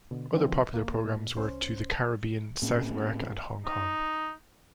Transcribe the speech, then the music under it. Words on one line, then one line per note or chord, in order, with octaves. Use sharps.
Other popular programs were to the Caribbean, South America, and Hong Kong.
B2 D3
D3 E3 F3 G3 C4
C#2 A#3
A#2
C2 C#4 C5
A5
A2 A#3 C4 C#4
D#4